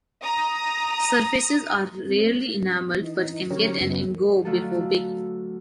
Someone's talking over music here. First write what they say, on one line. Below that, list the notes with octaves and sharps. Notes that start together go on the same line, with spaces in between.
Surfaces are rarely enameled but can get an engobe before baking.
A#5 D#6
E3 D#4
D3 F#3 C#4 G4 A#4 C#5
F#2 C#3 F#3 B3
D3 F#3 A3 F4 F#4 A4